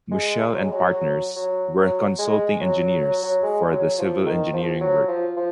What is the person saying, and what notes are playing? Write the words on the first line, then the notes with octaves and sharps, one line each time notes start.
Mouchel and Partners were consulting engineers for the civil engineering work.
G#3
F#3
G#3
F#3
F#3
F#3
F#3
G#3
F#3
F#3
F#3
F#3
G#3
F#3
F3
D#3
F3
F#3
F3
F3